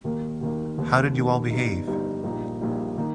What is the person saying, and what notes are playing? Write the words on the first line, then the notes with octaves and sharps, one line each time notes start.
How did you all behave?
D#2 D#3 A#3
D#2 D#3 A#3
F1 D#2 D#3
F1 D#2 D#3
G1 G2 G3 D#4
G1 G2 G3 D#4
A#1 A#2 G3 D#4
A#1 A#2 G3 D#4
D#3 A#3 D#4